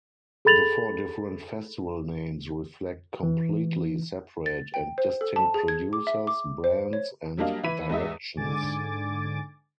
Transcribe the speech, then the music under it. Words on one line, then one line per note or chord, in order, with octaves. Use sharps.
The four different festival names reflect completely separate and distinct producers, brands and directions.
G#4 A4 B5 A6 F7 F#7
E3
A6
G5
C5
A4
A5
G#4
G#6
D6
E5
D6
C5
C#5
F#3 G3 A#3 D4 D#5 F5
E3 E4 B5 B6 D#7
E2 G#2 D#5 E5
G#2 D3 G#5 D6 A6